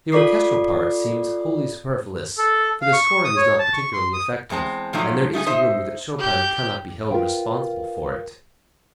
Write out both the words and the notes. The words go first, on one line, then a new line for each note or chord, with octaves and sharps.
The orchestral part seems wholly superfluous, for the scoring is not particularly effective, and there is a rumor that Chopin cannot be held responsible for it.
F4 A4 D5 D6 C7
A4
F5
C#6
D#6
C#5
A5
C#6
C6
D#6
E2 G#3 C4 A5
A#2 F3 F#3 A3 D#4
A3 D#4 F4 G#4
D#4 C5 D#5 E5
G4 G6
F4 G4 A#4 B4 F5 G5